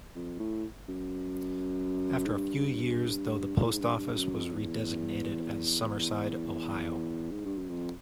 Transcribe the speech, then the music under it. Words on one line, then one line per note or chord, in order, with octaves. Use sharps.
After a few years though the post office was redesignated as Summerside, Ohio.
F2
A2
F#2
G#2
G2
A#2
A2
G#2
G2
G2
F#2
F2
E2
E2
G#2
G2
F#2
F2